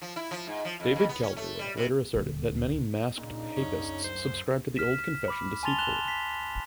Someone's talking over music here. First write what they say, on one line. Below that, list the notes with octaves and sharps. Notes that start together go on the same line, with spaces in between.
David Calderwood later asserted that "many masked "Papists" subscribed the old Confession deceitfully".
F3
E4
F3
G#2
F3
F2
F2
B3
C#4
A3
G3
C3
D#1 D2
A#2 C#3 D4 D#4
F#2 C#4
C5
F6 B6 E7
B5 D6
G#5 A5 C6 A6 F7 G7
F#6 E7 F7 G7
B6